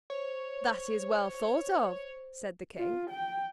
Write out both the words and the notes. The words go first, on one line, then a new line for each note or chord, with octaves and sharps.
"That is well thought of," said the King.
C5 C#5
F4
G5